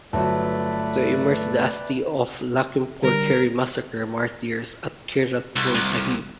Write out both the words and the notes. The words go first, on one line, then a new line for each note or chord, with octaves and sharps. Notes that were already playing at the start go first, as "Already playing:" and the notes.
To immerse the asthi of Lakhimpur Kheri massacre martyrs at Kiratpur Sahib.
G1 F#3 A3 B4 D5 E5 A5
D3 G3 A#4
C2
C2